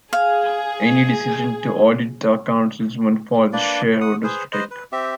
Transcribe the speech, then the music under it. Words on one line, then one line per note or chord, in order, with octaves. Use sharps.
Any decision to audit the accounts is one for the shareholders to take.
G#4 F5
A#3 D4 B4 D5
F#5 D#6
G#4 B4 C5
B4 C5 D#5
B4
C4 G4 E5